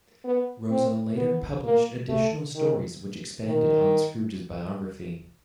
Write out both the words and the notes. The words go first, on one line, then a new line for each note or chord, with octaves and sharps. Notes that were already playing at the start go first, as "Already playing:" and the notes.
Rosa later published additional stories which expanded on Scrooge's biography.
B3
C4
B3
A#3
A3
D#3
D#3